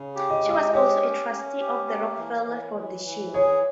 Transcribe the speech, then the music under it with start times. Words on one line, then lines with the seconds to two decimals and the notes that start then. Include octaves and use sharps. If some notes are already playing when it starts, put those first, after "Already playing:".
She was also a trustee of the Rockefeller Foundation.
Already playing: C#3
0.16 G4
0.30 D#5
0.45 G#3
0.51 D#5
0.73 G4 C#5
1.02 C#4
1.31 C#4
1.60 G4
1.89 A#3
2.18 E3
2.47 E3
2.76 E3
3.05 E3
3.34 G#4 C#5